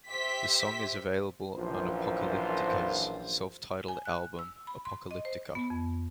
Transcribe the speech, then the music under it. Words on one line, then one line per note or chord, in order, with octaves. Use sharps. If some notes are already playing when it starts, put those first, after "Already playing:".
The song is available on Apocalyptica's self-titled album, "Apocalyptica".
G4 C5 E5 G5 B6
A#1 F#2 E3 F3 F4 C5
G#5
F#6
E6
B5
C6
D#5
C5
B3
F2